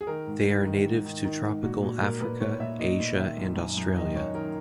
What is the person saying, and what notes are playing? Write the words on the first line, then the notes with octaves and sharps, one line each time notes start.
They are native to tropical Africa, Asia and Australia.
G#4
D#3 A#4
G#2
G#2
D#3
G#2
D#3
D#3
G#2
A#2 F#4
A#2 F#4
A#2 A#4
A#2 B4
A#2 C#5
A#2 E5
A#2 D#5
A#2
D#3 E5
F#2
F#2
F#2
D#3 D#5
F#2 C#5
D#3 A#4